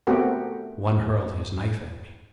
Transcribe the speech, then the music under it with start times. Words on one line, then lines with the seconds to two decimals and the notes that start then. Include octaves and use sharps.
One hurled his knife at me.
0.07 A3 B3 C4 F#4 G4 A#4